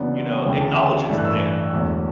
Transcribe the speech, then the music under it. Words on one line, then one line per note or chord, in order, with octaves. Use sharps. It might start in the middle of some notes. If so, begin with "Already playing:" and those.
You know, acknowledge it's there.
Already playing: F#1 F#2 E3 B3 D4 D5 F#5
D2 C#3 E3 G5
A5
E5 G5
A1 G2 E3 A3 D4
F#6
C#6 E6
E1 E2 D3 A3